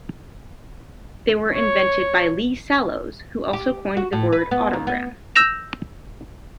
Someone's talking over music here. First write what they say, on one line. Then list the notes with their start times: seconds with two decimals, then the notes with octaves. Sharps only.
They were invented by Lee Sallows, who also coined the word "autogram".
1.55 C#5
3.53 G4
3.97 F#4
4.13 A2
4.32 B4
4.51 B3
4.73 D#2
4.87 B3
5.35 E6 G6 A#6 E7 F7